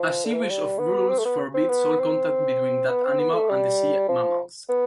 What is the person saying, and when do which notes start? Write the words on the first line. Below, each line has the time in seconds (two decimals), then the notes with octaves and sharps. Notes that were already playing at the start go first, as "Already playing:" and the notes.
A series of rules forbids all contact between that animal and the sea-mammals.
Already playing: F3
0.25 D3
0.33 E3
0.42 F3
0.50 G3
0.79 B3
1.09 C4
1.19 A3
1.25 B3
1.54 C4
1.69 B3
1.99 C4
2.89 B3
3.05 C4
3.19 B3
3.34 A3
3.49 G3
4.08 F3
4.69 B3